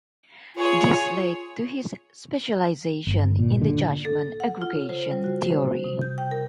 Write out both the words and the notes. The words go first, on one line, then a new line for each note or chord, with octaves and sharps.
This led to his specialization in the judgment aggregation theory.
F4 G#4 C#5
G1
A#2
D3
A4
F#5
F4
C#3
C5
G3
F#4
C5
C3
G6
G5
A#4